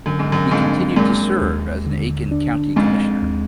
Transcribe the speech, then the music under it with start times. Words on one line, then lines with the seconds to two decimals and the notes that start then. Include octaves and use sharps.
He continued to serve as an Aiken County commissioner.
0.06 F#2 D3
0.19 G#2
0.32 F#2
0.51 F2 G#2 D4
0.96 F#2 A#2 G#3
1.41 D#2
1.86 D3
2.31 D4
2.76 F2 G#2 G#3
3.22 D#2